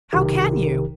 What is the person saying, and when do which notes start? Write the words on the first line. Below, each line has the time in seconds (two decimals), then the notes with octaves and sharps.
How can you?
0.13 B1 C3 D#3 G4 A#4